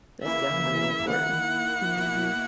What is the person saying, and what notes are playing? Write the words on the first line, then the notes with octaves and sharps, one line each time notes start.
That's definitely important. Mhm.
C#3 E3 A#3 E4 E5
D#3 A#3 E4 F#5
B2 A#3 E4